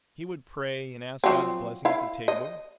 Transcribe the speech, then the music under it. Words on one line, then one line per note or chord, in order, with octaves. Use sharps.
He would pray and ask God's blessings at the table.
F3 F#3 C4
E4 F5
D#5